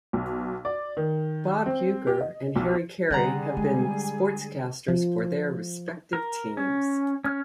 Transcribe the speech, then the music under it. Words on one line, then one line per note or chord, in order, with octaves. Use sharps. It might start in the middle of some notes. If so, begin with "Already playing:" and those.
Bob Uecker and Harry Caray have been sportscasters for their respective teams.
B1
D5
D#3
C4
G4
D#5
B1
D3 G3 C#4 G#4 F#5 G#5 A#5
G#3
F3
A#4
C#4
C#4 F6